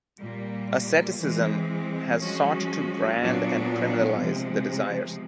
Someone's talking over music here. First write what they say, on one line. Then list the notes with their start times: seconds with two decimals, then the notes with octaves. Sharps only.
Asceticism has sought to brand and criminalize the desires.
0.21 A#2 G3 A#3
1.20 E3 G#3 C4
2.19 F3 G#3 C#4 F#4
3.19 A#2 F#3 B3 D4 F4
4.19 C3 F3 G#3